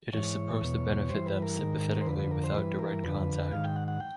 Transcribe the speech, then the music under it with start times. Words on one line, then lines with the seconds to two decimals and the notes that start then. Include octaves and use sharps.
It is supposed to benefit them sympathetically without direct contact.
0.13 G#2 E3 C#5
0.61 E2 B2
1.10 G2 E3 C5
1.26 B4
1.42 A#4
1.58 G#2 D#3
2.01 C5
2.06 F2 D3 B4
2.19 B4
2.31 A#4
2.44 C5
2.55 G2 E3 B4
2.79 A#4
3.04 F2 D3 B4
3.52 G#2 D#3 F5
3.64 G5
3.76 F#5
3.88 F#5
4.00 G5